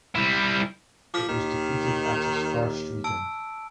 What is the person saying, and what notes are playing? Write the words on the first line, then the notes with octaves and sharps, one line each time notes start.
It was defeated at its first reading.
G3 E4
F3 D6 F6 B6
D#2 D#3
A5 E6 D7